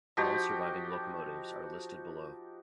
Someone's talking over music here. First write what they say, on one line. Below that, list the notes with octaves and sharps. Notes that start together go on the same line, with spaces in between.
All surviving locomotives are listed below.
F3 D#4 F#4 G4